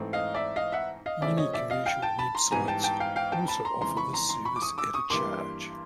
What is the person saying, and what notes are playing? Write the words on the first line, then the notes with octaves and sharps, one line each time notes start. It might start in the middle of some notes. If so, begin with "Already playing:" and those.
Many commercial websites also offer this service at a charge.
Already playing: G#2 E3 A3 C4
D#5 F5
D5 E5
D#5 F5
E5 F#5
D#5 F5
C#3 F3 A3 C4 D5 E5
C#5 D#5
D5 E5
D#5 F5
F5 G5
G5 A5
A5 B5
A#5 C6
G#2 E3 G3 B3 G#5 A#5
G5 A5
G5 A5
F5 G5
F5 G5
G5 A5
A5 B5
A#5 C6
F2 C#3 E3 G#3 A#5 C6
B5 C#6
A#5 C6
A#5 C6
B5 C#6
D6
C#6 D#6
D6 E6
C#6 D#6
G2 E3 G3 A#3 C6 D6